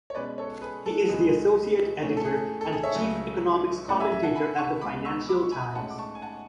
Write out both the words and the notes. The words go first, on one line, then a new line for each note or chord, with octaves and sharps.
He is the associate editor and chief economics commentator at the "Financial Times".
C#5
B2 G#3 C#4 B4 D5
A4 C#5
G#4 B4
A4
C#2 B2 G#3 B3 G#4
A2 E3 A3 C#4
A4
G#4
A4
G#4
C#5 E5
C#2 C#3 F#3 A3 C#4
A2 E3 A3 C#4 D5 F#5
E5 G#5
E5 G#5
F#5 A5
G#5 B5
A5 C#6
C#2 B2 G#3 B3 B5 D6
C#6 E6
B5 D6
C#6
G#5 B5
A2 G#3 C#4 F#5 A5
D6
A5 C#6
G#5
F#5 A5